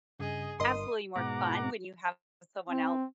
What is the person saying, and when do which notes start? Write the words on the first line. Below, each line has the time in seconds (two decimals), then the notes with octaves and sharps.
absolutely more fun when you have someone else
0.19 G2 C#3 G#4 D#5
0.60 G1 G2 A#4 D#5 C6 D#6
1.16 G#2 B2 F#5 A#5 D6
2.69 C4